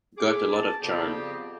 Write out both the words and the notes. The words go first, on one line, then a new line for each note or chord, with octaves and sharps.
Got a lot of charm.
G#4 D6
A5
F2 C#3 B3 C4 G4 D5